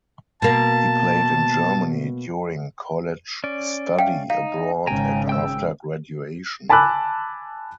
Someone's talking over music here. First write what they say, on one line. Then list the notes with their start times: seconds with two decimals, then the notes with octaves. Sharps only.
He played in Germany during college study abroad and after graduation.
0.42 B2 A#3 A5
3.44 C#4 D5
3.99 E5 F5 G5
4.30 D#4 F5
4.87 G#1 C#3 G5 G#5 A#5
5.29 G5 E6
6.69 G#5 A5 B5 D6 E6 F#6